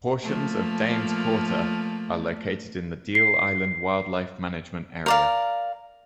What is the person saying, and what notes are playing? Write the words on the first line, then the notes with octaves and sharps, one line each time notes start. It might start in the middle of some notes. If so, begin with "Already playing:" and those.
Portions of Dames Quarter are located in the Deal Island Wildlife Management Area.
F3 A3 A#3
C7
A#4 D5 F5